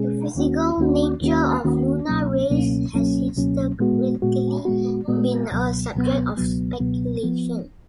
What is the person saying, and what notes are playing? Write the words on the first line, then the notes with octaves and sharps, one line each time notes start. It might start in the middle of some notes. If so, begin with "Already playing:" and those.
The physical nature of lunar rays has historically been a subject of speculation.
Already playing: B2 G#3 C#4 G#4
D#2 D#3 A#3 C#4 F#4
D#2 D#3 A#3 C#4 F#4
D#2 D#3 A#3 C#4 F#4
D#2 D#3 A#3 C#4 F#4
C#2 B2 F#3 A#3 C#4
C#2 B2 F#3 A#3 C#4
C#2 B2 F#3 A#3 C#4
C#2 B2 F#3 A#3 C#4
A#2 G#3 B3 F#4
A#2 G#3 B3 F#4
A#2 G#3 B3 F#4
A#2 G#3 B3 F#4
C#2 B2 F#3 B3
C#2 B2 F#3 B3
C#2 B2 F#3 B3
C#2 B2 F#3 B3
F3 B3